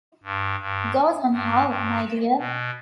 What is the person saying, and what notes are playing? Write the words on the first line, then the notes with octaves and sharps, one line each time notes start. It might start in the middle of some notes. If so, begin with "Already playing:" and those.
Goes on how, my dear?
G2
G2
G2
G2
B2